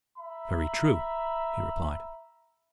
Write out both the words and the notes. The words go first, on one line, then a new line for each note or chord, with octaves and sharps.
"Very true," he replied.
E5 A#5 B5